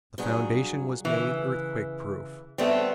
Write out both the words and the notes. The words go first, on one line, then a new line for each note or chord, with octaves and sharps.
The foundation was made earthquake-proof.
G2 F#3 G#4
C#3 E3
G3 A3 B3 C4 C#5